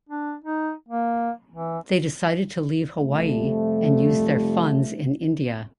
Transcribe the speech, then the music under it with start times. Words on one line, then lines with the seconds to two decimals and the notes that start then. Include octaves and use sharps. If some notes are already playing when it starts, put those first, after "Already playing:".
They decided to leave Hawaii and use their funds in India.
0.09 D4
0.44 D#4
0.88 A#3
1.53 E3
3.02 F2 C3 F3 G3 A3